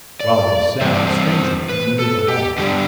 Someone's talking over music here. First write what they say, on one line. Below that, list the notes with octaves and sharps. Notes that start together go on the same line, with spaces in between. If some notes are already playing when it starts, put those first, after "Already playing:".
While they sat, a stranger came into the hall.
D5
E3 G3 C4 C5
D5
C5
B4
A4
G4
D3 G3 B3 D4 G4